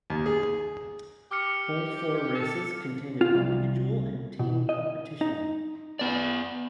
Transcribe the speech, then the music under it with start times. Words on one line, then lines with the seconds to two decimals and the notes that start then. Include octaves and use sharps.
All four races contain an individual and team competition.
0.10 D#2
0.26 G#4
1.31 G4 D6 F6 C#7
2.35 A4
3.21 F4
3.35 C2
4.39 B2
4.69 D#5
5.21 D#4
5.99 B3 D5